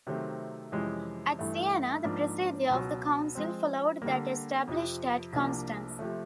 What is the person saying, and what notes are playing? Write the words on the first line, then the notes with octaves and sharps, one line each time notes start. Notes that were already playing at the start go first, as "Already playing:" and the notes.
At Siena, the procedure of the Council followed that established at Constance.
C3 D#3 F#3 A3 C4
F2 C3 E3 G#3 C#4
G2 E3 A3
G#2 F3 A#3 D4
C#2 B2 F#3
F3 G#3 C4
D3 G3 A#3
F2 C3 F3
C2 C3 F3 A#3 D4
C3 F3 A3